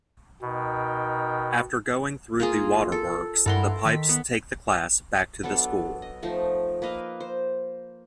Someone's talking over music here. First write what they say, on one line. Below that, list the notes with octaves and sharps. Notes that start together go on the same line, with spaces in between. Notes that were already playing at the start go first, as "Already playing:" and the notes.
After going through the waterworks, the pipes take the class back to the school.
B2 D#4 A#4 G5
A#3 F4 G#4
A4
G2 E4 A4 A#4 F#5 C6
D#3 B6
B3
F#3 B3 D4 A4
D#5
F3 A3 D#4
A#3 B4 D#5 F5
C5